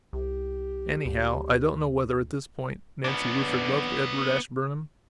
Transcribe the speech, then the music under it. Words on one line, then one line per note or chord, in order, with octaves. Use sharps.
Anyhow, I don't know whether, at this point, Nancy Rufford loved Edward Ashburnham.
C2 G4
D2
B3 D4